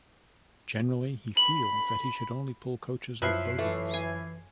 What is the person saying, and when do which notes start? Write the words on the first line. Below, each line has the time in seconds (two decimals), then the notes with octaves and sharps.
Generally, he feels that he should only pull coaches with bogies.
1.37 B5 F#7
3.22 F#2 F3 E4 B4 C#5 E5 C7
3.58 E3 A3
3.94 G#5